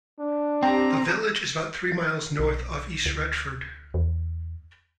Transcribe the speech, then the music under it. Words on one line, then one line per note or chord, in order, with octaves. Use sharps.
The village is about three miles north of East Retford.
D4
C4 G4 A#5
B1
D2
E2